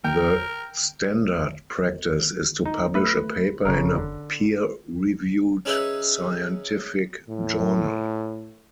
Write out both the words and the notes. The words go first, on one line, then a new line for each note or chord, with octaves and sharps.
The standard practice is to publish a paper in a peer-reviewed scientific journal.
A#4 G5
D#4
A3 B4
F#1 C#3 A#4
D3
C#4 D#4 G#4 B4 C#5 E5
A2